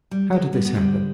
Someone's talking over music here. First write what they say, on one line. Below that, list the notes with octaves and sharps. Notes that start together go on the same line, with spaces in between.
How did this happen?
G3
G#3
G3 B3
B3
F2 D3 G3 G#3